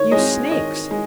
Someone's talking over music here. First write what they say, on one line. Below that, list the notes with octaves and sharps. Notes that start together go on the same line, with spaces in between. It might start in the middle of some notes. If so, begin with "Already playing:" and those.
You snakes!
Already playing: D#3 C#5
G#3 C4 D#5
D#3 D#5
G#3